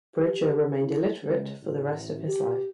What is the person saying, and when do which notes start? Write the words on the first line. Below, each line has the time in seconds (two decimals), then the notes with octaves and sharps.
Bridger remained illiterate for the rest of his life.
0.20 G4
0.81 E4
1.23 C#2
1.62 A1
2.28 G4